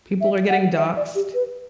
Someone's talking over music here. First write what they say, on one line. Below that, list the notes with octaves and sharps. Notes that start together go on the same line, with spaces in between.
People are getting doxxed.
E5
F#5
E5
D5
G4
B4